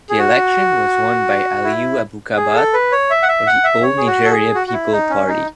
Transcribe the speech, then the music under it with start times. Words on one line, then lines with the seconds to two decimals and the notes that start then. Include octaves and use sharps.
The election was won by Aliyu Abubakar of the All Nigeria Peoples Party.
0.10 G#4
0.19 F#4
1.64 E4
2.37 G#4
2.56 A4
2.74 B4
2.92 C#5
3.10 E5
3.23 F#5
3.28 E5
3.47 F#5
3.64 E5
3.83 C#5
3.98 G#4
4.07 F#4
4.26 A4
4.31 G#4
4.55 F#4
4.67 F#4
4.73 E4
4.92 D#4
5.10 C#4
5.28 D#4